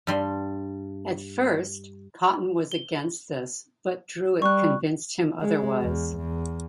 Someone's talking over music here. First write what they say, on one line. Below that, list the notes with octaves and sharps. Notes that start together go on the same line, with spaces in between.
At first, Cotton was against this but Drewett convinced him otherwise.
G2 G3 C6
G7
G3 C#6 F#6
G#3
E2
E2